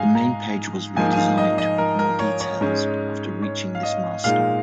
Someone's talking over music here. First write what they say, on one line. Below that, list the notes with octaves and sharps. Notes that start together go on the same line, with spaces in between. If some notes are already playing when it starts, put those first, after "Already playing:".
The Main Page was re-designed with more details after reaching this milestone.
Already playing: G#2 G#3 D#4 F5 G#5
A#5
G#2 F3 A#3 D#4 G#5
G#5
F5
D#5
D#5
A#4
A#4
C#5
C#5
G#2 G#3 C#4
C#5
F5
D#5
A#2 G#3 D#4 F5